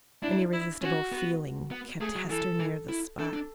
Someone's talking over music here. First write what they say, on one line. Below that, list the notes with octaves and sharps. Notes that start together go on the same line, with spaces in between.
An irresistible feeling kept Hester near the spot.
D4 E4
E4
C#4 F#4
B3
B3
A3 G#4
F#3
E3 A4
E3
E4
D4 A4
D4